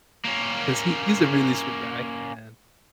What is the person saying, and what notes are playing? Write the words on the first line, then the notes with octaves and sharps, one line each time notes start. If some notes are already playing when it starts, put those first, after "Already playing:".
'cause he he's a really sweet guy, and,
A#3 C#4